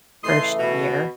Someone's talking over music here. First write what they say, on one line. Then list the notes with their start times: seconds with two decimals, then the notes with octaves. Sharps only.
first year,
0.23 A2 C#3 E3 A3 D#5 C6
0.59 B2